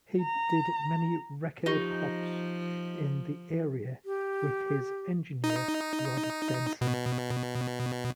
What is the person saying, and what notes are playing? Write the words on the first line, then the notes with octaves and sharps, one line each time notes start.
He did many Record Hops in the area with his engineer Rod Denson.
A#5
F3 D#4 F4 G4 C#6
G4
D#4
B2